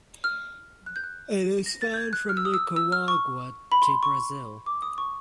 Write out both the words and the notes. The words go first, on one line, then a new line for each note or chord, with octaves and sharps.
It is found from Nicaragua to Brazil.
F6
F#6
G6
F#6
A#6
A6
G6
G#6
F#6
F6
E6
D#6
E6
E6
F6
C#6
B5
C6
C#6
D6
D#6
C#6